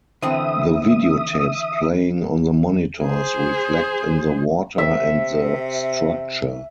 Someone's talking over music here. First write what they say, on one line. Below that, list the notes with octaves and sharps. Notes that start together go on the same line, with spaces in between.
The videotapes playing on the monitors reflect in the water and the structure.
D3 E3 C4 E5 D#6
G#4 C5
C3 E5